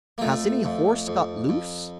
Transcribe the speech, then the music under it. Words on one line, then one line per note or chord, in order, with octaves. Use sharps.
"Has any horse got loose?"
A#3
F2 A3
F2
F2
F2